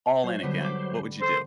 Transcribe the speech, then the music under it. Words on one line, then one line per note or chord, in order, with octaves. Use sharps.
all in again? What would you do?
F#3 C5
D3 G3 B3
B5 D6
A4 C5